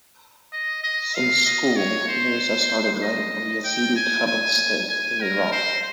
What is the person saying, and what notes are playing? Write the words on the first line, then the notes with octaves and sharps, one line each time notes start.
Since school Mirza started writing on Yazidi troubled state in Iraq.
D#5
D#5
F5
D#5
C#5
C5
D#5
G5
G#5
G#5
G#5
A#4
C5